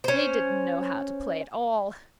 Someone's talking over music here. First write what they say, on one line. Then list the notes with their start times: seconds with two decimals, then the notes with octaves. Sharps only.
They didn't know how to play at all.
0.04 C#4 C5